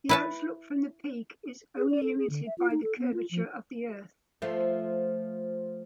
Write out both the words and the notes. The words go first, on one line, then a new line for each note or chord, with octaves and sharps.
The lookout from the peak is only limited by the curvature of the earth.
E4 B4 A5
G#4
D5
A4
G#4
D3
E5
F4
D#4
A4
B3
F4
F3
F3 A3